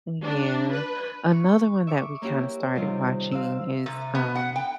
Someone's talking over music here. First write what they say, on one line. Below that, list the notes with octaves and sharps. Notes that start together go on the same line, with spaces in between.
yeah. Another one that we kinda, started watching is, um,
D4
B4
C#6
E5 C#6 D6
A#3 C#4 E4 F#4 G4
C3 D#3 G3 F4
C4 F5 E6
C3
B3
F#5
G5